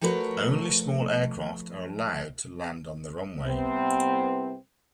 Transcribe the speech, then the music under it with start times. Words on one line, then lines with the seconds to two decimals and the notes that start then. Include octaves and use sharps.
Only small aircraft are allowed to land on the runway.
0.01 F3 A3 F#4 A#4 B4 C#5
3.45 C2 C3 B3 C4